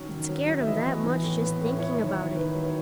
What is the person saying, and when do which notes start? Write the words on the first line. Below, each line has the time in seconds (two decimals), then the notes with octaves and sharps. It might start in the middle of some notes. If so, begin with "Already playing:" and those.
It scared him that much, just thinking about it.
Already playing: D#3 F#3 C#4
0.11 D#3
0.29 F#3
0.48 F#3
0.61 E5
0.67 E3 D#5
0.85 B3
1.04 E3
1.23 A2
1.42 B3
1.61 A2
1.79 E4 C#5
1.97 D#3
2.07 C#5
2.16 E4
2.35 D#3 B4
2.55 F#3
2.63 C#5